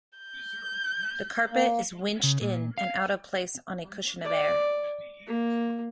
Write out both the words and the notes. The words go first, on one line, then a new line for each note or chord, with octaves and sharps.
The carpet is winched in and out of place on a cushion of air.
G6
A#3
C#3
A#2
F5
D5
A#3